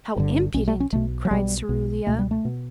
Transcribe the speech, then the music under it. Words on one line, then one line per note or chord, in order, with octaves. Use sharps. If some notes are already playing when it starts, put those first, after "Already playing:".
"How impudent!" cried Cerulia.
G1 G2 D3
B1 B2 C#4
A3
C#4
B1 B2 A3
F#3
B1 B2 G3
B1 B2
C#2 B2 A3
G3
A3
B2